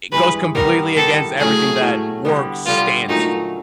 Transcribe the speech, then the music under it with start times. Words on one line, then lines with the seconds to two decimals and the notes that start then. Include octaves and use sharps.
it goes completely against everything that work stands for.
0.12 G2 E3 G#3 B4
0.55 D#3 G3 B3 E4 A#4
0.96 D#3 G3 B3 E4 A4
1.39 A2 F#3 A3 C#4 G#4
1.81 A2 F#3 A3 C#4
2.25 D3 G3 B3
2.66 D3 G3 B3 F4
3.09 A#2 F#3 A3 D#4